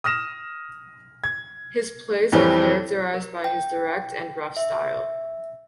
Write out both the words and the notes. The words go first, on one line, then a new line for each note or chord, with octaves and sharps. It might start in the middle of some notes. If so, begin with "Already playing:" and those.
His plays are characterised by his direct and rough style.
D#6 F6 A#6 E7
G#6
F2 E3 G3 C4
A#4
G5
E5